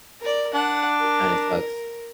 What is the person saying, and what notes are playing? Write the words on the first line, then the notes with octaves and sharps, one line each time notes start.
it kinda sucks,
A#4 D5
D4 F#5
A#4